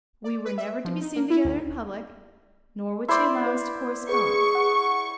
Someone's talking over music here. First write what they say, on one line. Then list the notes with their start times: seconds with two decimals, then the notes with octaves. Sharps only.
We were never to be seen together in public, nor would she allow us to correspond.
0.24 D5
0.45 B4
0.58 E5
0.85 F3
1.01 D#4
1.16 A#3
1.30 E4
1.45 D2
3.08 E4 C5 D5 C6
3.46 B4
4.09 G#4 B4 C#6
4.55 F#5